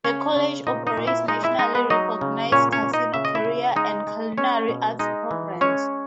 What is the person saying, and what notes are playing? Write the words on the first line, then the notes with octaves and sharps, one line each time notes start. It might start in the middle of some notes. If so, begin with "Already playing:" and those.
The college operates nationally recognized casino career and culinary arts programs.
C#3 C#4 C#5
C#3
A#2 D#4 D#5
D#4 D#5
A#2
E4 E5
G#3 D#4 D#5
E4 E5
G#3 D#4 D#5
B3 B4
F#3 D#4 D#5
C#3
A#2 C#4 C#5
C#4 C#5
A#2
D#4 D#5
C#3 E5
D#5
E4 E5
C#3
G#3 D#4 D#5
G#3
G#3 C#4 C#5
B2
G#3 D#4 D#5
E3
G#3 C#4 C#5